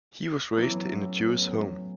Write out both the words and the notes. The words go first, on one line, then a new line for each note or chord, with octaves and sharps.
He was raised in a Jewish home.
A2 E3 F#3 B3 C#4